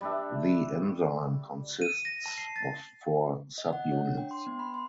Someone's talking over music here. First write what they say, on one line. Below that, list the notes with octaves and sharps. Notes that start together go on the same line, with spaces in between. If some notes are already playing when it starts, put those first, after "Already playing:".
The enzyme consists of four subunits.
G3 D4 E5
D#7
A#6
A5
C7
A6
D#5
F#5
C#5
D4
G5
C6
B3
B5
C6